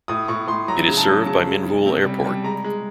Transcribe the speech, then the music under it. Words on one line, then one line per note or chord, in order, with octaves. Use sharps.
It is served by Minvoul Airport.
A2 D#6
A2 C#6
A2 C6
F#3 A#5
C#3
A5
F#3
C#3 A5
G#3
C#3
C3
G3
G3
G#3 A#5
G#3